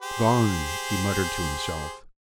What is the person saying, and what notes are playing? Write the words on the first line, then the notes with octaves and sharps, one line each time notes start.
"Gone!" he muttered to himself.
G4 G#4 C5